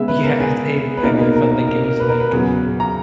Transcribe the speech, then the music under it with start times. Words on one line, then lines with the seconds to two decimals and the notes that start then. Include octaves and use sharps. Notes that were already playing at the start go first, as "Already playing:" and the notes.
Yeah, same. I I felt like it was, like,
Already playing: C#3 G#3 B3 E5
0.08 B4
0.23 A#4
0.40 G#4
0.97 B4
1.03 B2 A#3 D#4 A#4
1.20 A#4
1.35 A#4
1.51 A#4
1.67 A#4
1.84 A#4
2.00 B4
2.09 A#4
2.20 B4
2.31 E2 C#3 F#3
2.80 A#5